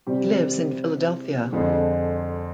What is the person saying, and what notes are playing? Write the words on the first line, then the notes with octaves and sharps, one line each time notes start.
He lives in Philadelphia.
C3 G3 C4 G4
F2 D3 F3 G#3